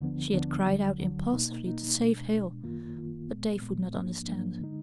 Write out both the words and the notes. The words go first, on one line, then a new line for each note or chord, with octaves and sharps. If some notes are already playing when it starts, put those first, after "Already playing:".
She had cried out impulsively to save Hale, but Dave would not understand.
D2 D3 F3 B3 D4
D2 D3 F3 B3 D4
D2 D3 F#3
D2 D3 F#3
B2 A#3 D#4
B2 A#3 D#4
B2 G#3 D4
B2 G#3 D4
F#2 D#3 A#3 F4
F#2 D#3 A#3 F4
A#2 G#3 B3
A#2 G#3 B3
G#2 F3 A#3 D4
G#2 F3 A#3 D4
D3 G#3 D#4